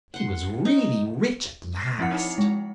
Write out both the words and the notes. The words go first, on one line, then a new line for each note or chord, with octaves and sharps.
He was really rich at last.
F#5 C6
D#4
C7
F3 C4 E4 F#5 C#7
D#4
G#3